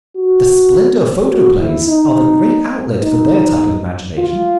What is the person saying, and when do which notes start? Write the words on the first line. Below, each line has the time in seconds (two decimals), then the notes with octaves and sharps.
The Splendor Photoplays are the great outlet for their type of imagination.
0.16 F#4
1.31 F#4
1.59 E4
1.89 D#4
3.04 D#4
4.19 F4